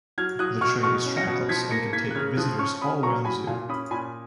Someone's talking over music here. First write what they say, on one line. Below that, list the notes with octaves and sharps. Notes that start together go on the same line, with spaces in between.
The train is trackless and can take visitors all around the zoo.
F#3 F6 G#6
F#3 D#6 F#6
B2 C#6 F6
B2 C#6 F6
C#4
A#6 C#7
B2
F3 G#6 B6
A#3 A#6 C#7
A#3 G#6 B6
F#6
C#3 F6 G#6
F3 D#6 F#6
C#4 C#6 F6
C#4 B5 D#6
F#3 A#5 C#6
F#3 G#5 B5
A#2 F5 G#5
C#4 B5 D#6
A#2 G#5 B5